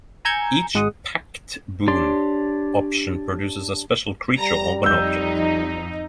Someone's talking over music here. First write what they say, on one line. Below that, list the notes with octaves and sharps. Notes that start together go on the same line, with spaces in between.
Each Pact Boon option produces a special creature or an object.
G#5 A#5 E6 G6 G#6 C#7
G#1 G#3 F#5 D#6
D4 G4 C#5 D5 C6
G3 A#5
F2 D#4 E6 G6